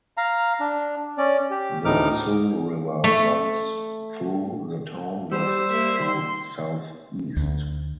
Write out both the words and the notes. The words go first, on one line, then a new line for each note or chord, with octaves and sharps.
The Xun River runs through the town west to southeast.
F5 A#5
D4
C#4 D5
G4
D2 A2 D#4 D6 F6
A3
G3 G4 C5 E6
A#3 E5
C6
D2